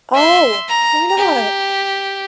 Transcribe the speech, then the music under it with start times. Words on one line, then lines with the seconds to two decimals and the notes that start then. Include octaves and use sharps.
Oh! Why not?
0.14 E5 C6
0.68 A#5
1.17 G4